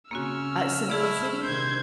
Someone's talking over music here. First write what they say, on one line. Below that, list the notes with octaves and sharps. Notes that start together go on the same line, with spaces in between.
Uh, simplicity?
C#3 A#3 C4 C#4 F#4 E6 F6
A3 E4 G#4 D5
C3 D#3 C5 G6 G#6